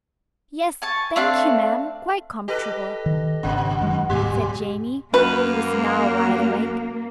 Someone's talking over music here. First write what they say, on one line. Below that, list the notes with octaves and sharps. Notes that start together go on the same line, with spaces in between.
"Yes, thank you, ma'am, quite comfortable," said Jamie, who was now wide-awake.
G#5 A5 C#6
A3 C4 D4 F5
G4 A4 B4 D#5
D#3
G#1 A#2 C#3 D4
F#2 D#3 G#3
D1 G#2 B2 F#3 G3 G4
F#2 A#3 B4